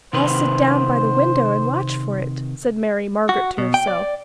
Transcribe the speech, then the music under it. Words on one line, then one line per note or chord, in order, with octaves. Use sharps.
"I'll sit down by the window and watch for it," said Mary Margaret to herself.
C3 D#3 B4 C5
F#4
B2
G5
D5